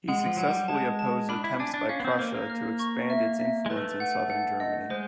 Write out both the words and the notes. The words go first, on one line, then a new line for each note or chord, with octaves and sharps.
He successfully opposed attempts by Prussia to expand its influence in southern Germany.
G#3 F#5
F3
F#3 F#5
G3
G#3 A5
A5
D4 B5
E4
D4 G#5
D4
C#4 F5
B3
C4
A#3 C5
A#3
F6
C#6
E5
E5
G#3
A3 B4
F#5
F#5
D#5
G#3 C5